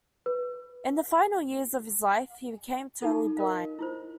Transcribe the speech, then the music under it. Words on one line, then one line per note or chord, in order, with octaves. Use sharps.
In the final years of his life, he became totally blind.
B4
D#4 F4 A4
A#4 D#5 F5
E4 F4 C5